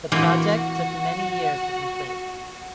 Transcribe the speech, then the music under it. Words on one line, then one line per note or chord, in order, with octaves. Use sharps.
The project took many years to complete.
E3 A#3 C4 F#4